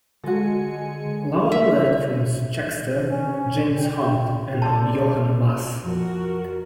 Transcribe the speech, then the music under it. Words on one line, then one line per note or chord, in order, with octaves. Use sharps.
Lauda led from Scheckter, James Hunt and Jochen Mass.
D3 G#3 F#4 A4 G#5 C#7
E5
C#4
G5
A4 C5 D5 A5 G6
F2 F3 F#4 A#4